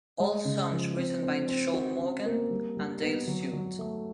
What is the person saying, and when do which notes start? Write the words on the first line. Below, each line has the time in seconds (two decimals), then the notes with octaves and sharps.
All songs written by Shaun Morgan and Dale Stewart.
0.20 G#3
0.45 C#3
0.71 F3
0.96 C4
1.23 C4
1.48 C4
1.74 F#4
1.99 C#4
2.26 A#3
2.51 G3
2.77 G3
3.02 B3
3.28 F#3
3.53 F#3
3.79 A3